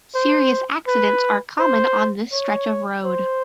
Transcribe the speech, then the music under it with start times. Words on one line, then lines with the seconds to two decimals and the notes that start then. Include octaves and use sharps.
Serious accidents are common on this stretch of road.
0.15 C5
0.87 B4
1.59 C5
2.32 C#5
3.05 C5